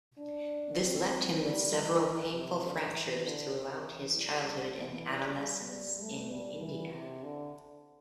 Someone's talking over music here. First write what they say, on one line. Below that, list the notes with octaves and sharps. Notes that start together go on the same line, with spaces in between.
This left him with several painful fractures throughout his childhood and adolescence in India.
D4
C4
C4
G3
E3
C3
D3
E3
D3
C3
E3
G3
D3
E3
G3
G3
A3
G3
E3
C3
D3